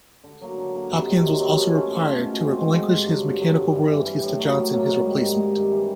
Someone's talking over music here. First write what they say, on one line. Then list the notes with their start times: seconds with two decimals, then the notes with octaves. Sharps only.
Hopkins was also required to relinquish his mechanical royalties to Johnson, his replacement.
0.24 D3
0.41 F#3 A#3
0.58 D3
0.74 F#3 A#3
0.90 C3
1.07 D#3 F#3
1.24 C3
1.40 D#3 F#3
1.58 F3
1.74 A3 C#4 F4
1.91 F3
2.06 A3 C#4 F4
2.24 B2
2.40 G#3 C4
2.57 B2
2.73 G#3 C4
2.89 G2
3.06 D3 F#3
3.23 G2
3.40 D3 F#3
3.56 G2
3.73 E3 G3
3.90 G2
4.06 E3 G3
4.23 A2
4.39 F#3 A#3
4.56 A2
4.73 F#3 A#3
4.89 G#2
5.06 D#3 G3
5.23 G#2
5.39 D#3 G3
5.56 G2
5.72 E3 G3